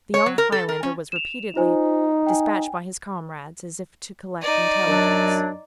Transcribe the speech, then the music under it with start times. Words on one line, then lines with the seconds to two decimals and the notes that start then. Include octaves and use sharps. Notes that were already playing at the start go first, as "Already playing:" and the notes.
The young Highlander was repeatedly despatched by his comrades as if to collect intelligence.
0.14 C#5
0.26 F#3
0.38 A#4
0.52 A4
0.69 A#4
0.83 C#4
1.12 E7 F7
1.56 D#4 F4 C5 G#5
2.27 G5 G#5
4.42 D#4 D5
4.87 F#2 F#3 D4